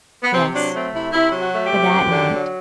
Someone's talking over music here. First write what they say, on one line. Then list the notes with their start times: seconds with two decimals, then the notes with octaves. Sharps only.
Yes, for that night.
0.22 B3
0.33 C3 C4
0.54 F#3 D4
0.73 A3 C4
0.93 C3 E4
1.13 C3 E4
1.32 F#3
1.39 F#4
1.52 A3
1.65 G4
1.72 C3
1.92 F#2
2.11 D3
2.32 F#3